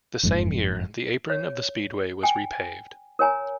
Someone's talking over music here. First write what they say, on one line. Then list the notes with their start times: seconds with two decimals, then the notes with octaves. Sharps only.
The same year, the apron of the speedway was repaved.
0.23 F#1 F2 G#2
1.30 C#5
2.23 G5 G#5
3.19 A#4 C#5 G#5 A#5